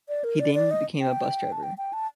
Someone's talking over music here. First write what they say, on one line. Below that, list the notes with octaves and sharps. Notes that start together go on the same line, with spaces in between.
He then became a bus driver.
D5
A#4
D5
D5
D#5
G5
A5
G5
G5
A5